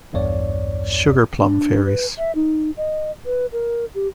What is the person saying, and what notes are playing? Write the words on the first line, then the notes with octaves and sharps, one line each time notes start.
Sugar Plum Fairies.
B1 E2 G2 C#5 D5
D4
B4
E5
D#4
D#5
B4
A#4
G4